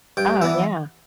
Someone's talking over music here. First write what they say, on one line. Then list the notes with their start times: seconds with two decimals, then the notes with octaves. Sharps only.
Oh, yeah.
0.17 G2 G5
0.42 E3 B3 D4 E5